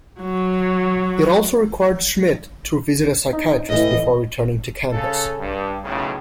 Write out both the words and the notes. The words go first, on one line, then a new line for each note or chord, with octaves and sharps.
It also required Schmidt to visit a psychiatrist before returning to campus.
F#3
D#4 D#5
A2 E3 D#5
C#3 A4
G2
B1 A2 C#3